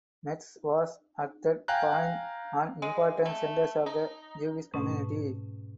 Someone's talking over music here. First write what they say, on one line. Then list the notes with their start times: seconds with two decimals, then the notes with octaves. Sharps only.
Metz was at that point an important center of the Jewish community.
1.68 F5 G5 G#5 A#5 F#6
2.82 G#3
3.25 A3
3.86 D#4
4.74 G#2 B2 A3 C#4